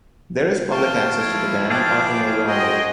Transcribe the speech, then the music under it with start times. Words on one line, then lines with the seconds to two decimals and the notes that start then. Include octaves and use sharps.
There is public access to the dam and parking area only.
0.72 F5 G5 A5 C#6
1.21 F3 E4 G#6 D7
1.70 G#4 F5 G5 A5 D6 D#6 F#6
2.47 F#4 G#4 C5 D#5 G5